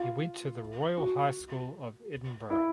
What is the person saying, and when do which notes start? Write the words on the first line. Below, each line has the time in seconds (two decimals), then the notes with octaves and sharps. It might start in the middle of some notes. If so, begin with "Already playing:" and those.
He went to the Royal High School of Edinburgh.
Already playing: F4
0.98 F#4
2.50 E4